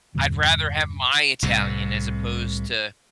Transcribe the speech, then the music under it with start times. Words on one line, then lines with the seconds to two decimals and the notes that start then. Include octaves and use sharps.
I'd rather have my Italian as opposed to
0.15 E2 G2 A#2 D3
1.42 C2 A2 C3